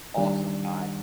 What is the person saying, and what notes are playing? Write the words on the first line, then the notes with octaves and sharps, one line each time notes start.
awesome guy,
D#3 G3 D4